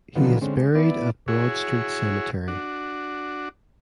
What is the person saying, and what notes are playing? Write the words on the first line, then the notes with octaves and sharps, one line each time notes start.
He is buried at Broad Street Cemetery.
A#2 D3 D#3 F3 F#3 B3
D3 G#3 C4 C#4
G#3
B3 E4 D5
E4 F#4 G#4 C#5
D4 F#4